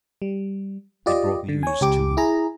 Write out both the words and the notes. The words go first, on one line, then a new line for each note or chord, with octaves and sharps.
They brought news, too.
G3
F4 G4 D5 D#5
D3
C#5 G#5
C#2 G4 D6
E4 G#4 A#5